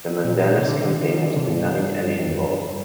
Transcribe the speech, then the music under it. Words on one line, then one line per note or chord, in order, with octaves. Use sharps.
The Menendez campaign has denied any involvement.
A#2
C3
D3
D#3
D3
D#3
D3
C3
G#2
G2
G2
G2
F2
G2